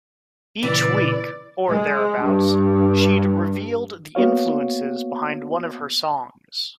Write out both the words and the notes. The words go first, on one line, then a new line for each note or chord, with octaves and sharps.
Each week, or thereabouts, she'd revealed the influences behind one of her songs.
A#2 C#3 E3 B4 D5
G#3
G2
A#3 B3 F#4 C#5 F5